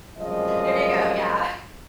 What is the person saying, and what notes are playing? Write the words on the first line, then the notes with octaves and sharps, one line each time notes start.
There you go, yeah.
F#2 C3 F3 G3 G#3 D#5